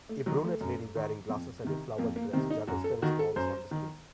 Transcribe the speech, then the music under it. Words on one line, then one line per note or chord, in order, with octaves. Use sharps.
A brunette lady wearing glasses and a flowered dress juggles tennis balls on the street.
A3
D#3 F#3
A3
F#2
D#3
F2
C3 D#3
F2 A#3
A#3
C3 D#3 C4
D#4
F#2 F#4
A4
D#3 F#4
A4
F#2 C5
D#3